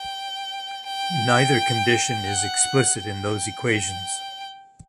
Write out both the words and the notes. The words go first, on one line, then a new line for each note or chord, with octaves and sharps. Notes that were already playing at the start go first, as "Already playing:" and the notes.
Neither condition is explicit in those equations.
Already playing: G5
G5
F#5
G5
G5